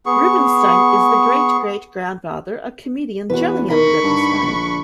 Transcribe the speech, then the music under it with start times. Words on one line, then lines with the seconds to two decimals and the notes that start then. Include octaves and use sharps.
Rubinstein is the great great grandfather of comedian Jolyon Rubinstein.
0.06 B3 G#4 C#6
3.30 E2 F#4 B4
3.70 D#4 A#4 B5 C#6
4.03 G2
4.42 A#1 D3